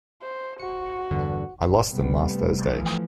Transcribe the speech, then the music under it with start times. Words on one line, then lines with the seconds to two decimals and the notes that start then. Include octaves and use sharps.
I lost them last Thursday.
0.22 C5
0.59 F#4 C#7
1.11 E2 G2 D3
1.88 C3 G3 A3 B3
2.70 E3 F3 A3